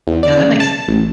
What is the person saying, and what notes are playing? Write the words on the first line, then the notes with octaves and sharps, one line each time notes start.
Yeah, that makes
E2
D5
C#3
A5
A1